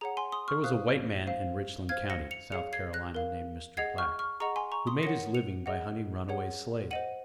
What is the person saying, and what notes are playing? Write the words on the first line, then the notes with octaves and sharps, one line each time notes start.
There was a white man in Richland County, South Carolina, named Mr. Black, who made his living by hunting runaway slaves.
G#4 C#5 F#5 A#5
G#5 C6
C6 D#6
C#6 F6
C5 F5 D#6 F#6
C5 F5
C5 F5 F6 G#6
A#6 C#7
C#7 F7
G#4 C#5 F5 C#7 F7
G#6 C7
F#6 A#6
A#4 F5
G#4 D#5 F#5 G#6 C7
C#6 F6
C#6 F6
G#4 D#5 F#5 A#5 C#6
G#5 C6
A#5 C#6
C6 D#6
A#4 C#5 F#5 A#6 C#7
C#7 F7
G#4 D#5 F#5
G#4 C#5 F#5
C5 D#5 F#5 D#7 F#7